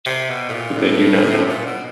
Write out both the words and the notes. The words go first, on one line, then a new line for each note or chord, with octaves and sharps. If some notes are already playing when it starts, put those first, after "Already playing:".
But they do not know.
C3
B2
A2
A#2
A2
A#2
B2